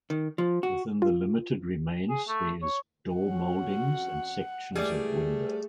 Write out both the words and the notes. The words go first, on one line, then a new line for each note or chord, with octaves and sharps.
Within the limited remains there is door mouldings and sections of window.
D#3
F3
F#4
F4
G#4
A3
C#5
F2 C#4 F#4 F#5
G#2 E3 G3 A3 G#4 D5